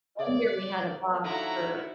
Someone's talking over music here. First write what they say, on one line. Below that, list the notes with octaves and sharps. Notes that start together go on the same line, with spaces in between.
One year we had a box for
C#3 D5
D3 F3 D#4 E4 F#4 C#5 A#5